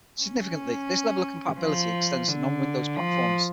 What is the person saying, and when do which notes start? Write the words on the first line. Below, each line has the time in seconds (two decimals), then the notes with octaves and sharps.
Significantly, this level of compatibility extends to non-Windows platforms.
0.21 C#4
1.59 F3
2.28 D3
2.97 F3